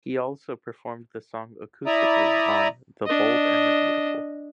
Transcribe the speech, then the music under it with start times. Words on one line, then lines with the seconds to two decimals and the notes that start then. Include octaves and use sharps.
He also performed the song acoustically on "The Bold and the Beautiful".
1.86 E4 D5 E5 A#5 D#6
3.06 D4 D#5